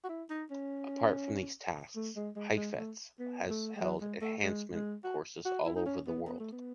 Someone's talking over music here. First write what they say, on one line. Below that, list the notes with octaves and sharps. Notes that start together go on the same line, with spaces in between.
Apart from these tasks, Heifetz has held enhancement courses all over the world.
F#4
E4
D#4
C#4
A3
G#3
G#3
G#3
A3
B3
A3
G#3
F#3
G#3
A3
G#3
G#3
F#4
F#4
E4
D#4
C#4
B3
B3
A3
B3